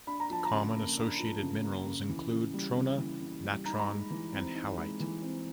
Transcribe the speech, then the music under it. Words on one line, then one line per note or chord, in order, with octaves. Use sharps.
Common associated minerals include trona, natron and halite.
D4 B5
A#5
F3 A5
A#5
C#3
A#3
D4
F3
C#3
A#3
C#3
E3
C#3
G3
C#3
E3
C#3
G3
D#4 A#5
B5
A#5
G#3
E3
C4
D#4
G#3
E3
C4